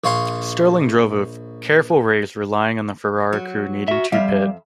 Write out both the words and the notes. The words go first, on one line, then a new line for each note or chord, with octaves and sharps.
Stirling drove a careful race, relying on the Ferrari crew needing to pit.
A#1 C#5 F5 C6
F#3
F#4 E5
F2 G3 E5 F5